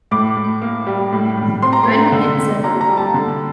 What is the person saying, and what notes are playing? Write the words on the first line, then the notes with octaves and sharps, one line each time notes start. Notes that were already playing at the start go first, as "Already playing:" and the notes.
When we get settled.
A2 D6
A2
A#3
G3
A2
A2
C4 C6
A#5
A3 C6
D3
D3
A#3 A#5
A#5
G3
A5
D3